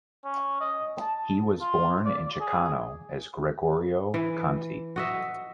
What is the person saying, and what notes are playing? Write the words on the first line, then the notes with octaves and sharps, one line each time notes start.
He was born in Ceccano as Gregorio Conti.
C#4
D#5
A5
F4
D5
G#4
E3
F#4 D#5 E5